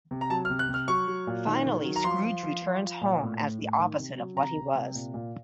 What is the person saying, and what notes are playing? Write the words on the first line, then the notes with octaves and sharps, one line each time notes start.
Finally Scrooge returns home as the opposite of what he was.
C3
A#5
F#3 A5
F6
C3
F#6
C3
F6
F#3 C#6
F#3
A#2
D#3
D#3
F#3
A#5
F3 C6
F3
F3
F3
F3
A#2
A2
A2
A2
D#3
C3
F#3
C3 A#5
C3
C3
A#2
A#2